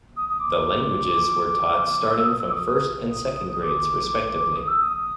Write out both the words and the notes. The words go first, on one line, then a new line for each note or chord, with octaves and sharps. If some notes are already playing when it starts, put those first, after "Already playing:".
The languages were taught starting from first and second grades respectively.
D#6
D#6
D6
E6
D#6
E6
D6
D#6
D#6
D6
D#6
E6
D#6